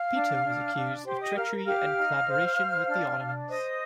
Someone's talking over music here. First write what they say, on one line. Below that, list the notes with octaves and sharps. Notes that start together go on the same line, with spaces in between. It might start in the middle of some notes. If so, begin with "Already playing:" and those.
Peter was accused of treachery and collaboration with the Ottomans.
Already playing: F5 F6
D4
D4
D4
G4 C5 C6
D#5 D#6
A#4 F5 F6
G4 F5 F6
D#4
C5
C5
D4
D4
C5 D#5 D#6